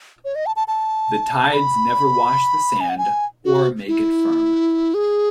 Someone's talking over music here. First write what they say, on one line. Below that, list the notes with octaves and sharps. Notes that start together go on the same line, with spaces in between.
The tides never wash the sand or make it firm.
C#5
D#5
A5
A5
A5
B5
G#5
F#5
G#5
F#4
E4
G#4